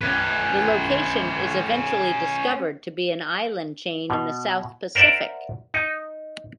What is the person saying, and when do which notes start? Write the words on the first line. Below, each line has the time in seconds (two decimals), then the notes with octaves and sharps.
The location is eventually discovered to be an island chain in the South Pacific.
0.01 C#4 B4
4.10 B2
4.95 A#4 C5 D5 E5 F#5
5.74 D#4